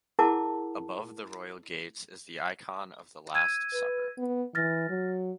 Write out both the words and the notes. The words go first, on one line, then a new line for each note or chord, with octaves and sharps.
Above the royal gates is the icon of the Last Supper.
E4 G#4 A#4 F#5 A5 D6
E6 G#6 D#7
B4
B3
E3 F6 A6 A#6
F#3